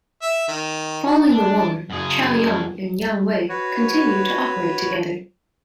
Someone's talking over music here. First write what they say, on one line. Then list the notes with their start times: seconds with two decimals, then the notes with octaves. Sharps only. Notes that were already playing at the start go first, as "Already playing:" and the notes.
Following the war, "Chaoyong" and "Yangwei" continued to operate together.
0.22 E5
0.48 D#3
1.06 F#4
1.30 D4
1.90 F#2 G#4
3.49 F#4 B4 C#5